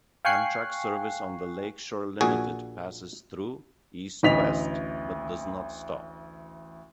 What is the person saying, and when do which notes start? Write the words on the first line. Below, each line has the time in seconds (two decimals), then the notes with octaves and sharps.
Amtrak service on the "Lake Shore Limited" passes through, east-west, but does not stop.
0.25 F5 G5 G#5 C#6 F#6 C7
2.21 A#1 A#2 F#4 G#4 G#5
4.23 A1 D2 D#5 B6 F7